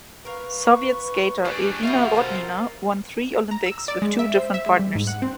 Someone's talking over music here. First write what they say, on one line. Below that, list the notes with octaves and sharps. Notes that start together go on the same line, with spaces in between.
Soviet skater Irina Rodnina won three Olympics with two different partners.
A#4 B4 F5 C#6
G3 D4 G#4
G3 B3 F4 F#4 D#5 E5
B2 D3 C4 A#4 C5
A#5
E6
D5
G#3
E5
C5
E5
G#3
G3
G#2
F#5
C4